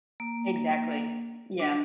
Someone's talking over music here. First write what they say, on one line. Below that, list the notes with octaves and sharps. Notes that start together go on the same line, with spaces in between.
Exactly, yeah.
A#3
D4